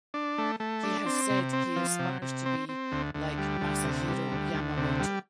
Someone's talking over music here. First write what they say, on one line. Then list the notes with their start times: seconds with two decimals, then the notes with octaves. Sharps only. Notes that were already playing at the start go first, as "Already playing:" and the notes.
He has said he aspires to be like Masahiro Yamamoto.
0.14 D4
0.38 A3
0.60 A3
0.83 D4
1.06 C4
1.30 C3
1.53 C4
1.76 F3
1.99 C3
2.22 C3
2.46 C4
2.69 C4
2.92 D2
3.14 D2
3.38 G3
3.61 D2
3.84 C3
4.08 G3
4.31 D2
4.54 D2
4.77 C3
5.00 G3